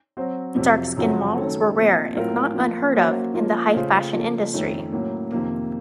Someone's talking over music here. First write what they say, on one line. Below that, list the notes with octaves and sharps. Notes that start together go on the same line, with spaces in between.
Dark-skinned models were rare, if not unheard of, in the high fashion industry.
F#3 C4 F#4 C5
F2 C3 F#3
F#2 C#3 F3 C4 F#4
D#3 F#3 A3 C#4 A4
A#2 F3 C4
A2 F#3 C4 F4 A#4
F3 A#3 F4
F#3 A#3 C#4 F#4 C5
F3 A#3 C#4 F4
C#3 A3 C#4 F4 C5
C#3 F3 A#3 C#4 A4
F2 D#3 A3 C#4
A2 F#3 A#3 C#4
F2 C3 D#3 A#3